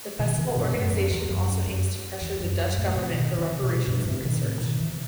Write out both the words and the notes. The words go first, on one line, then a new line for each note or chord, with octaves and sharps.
The festival organisation also aims to pressure the Dutch government for reparations and research.
B2 D#3
C3 E3
G2 B2
F#2 A2
F#2
E2
F#2
F#2
F#2
E2
F#2
F#2
F#2 A2
A2 C3
B2 D#3
C3 E3
G2 B2
G2 B2
A2 C3
B2 D#3
A2 C3
B2 D#3
C3 E3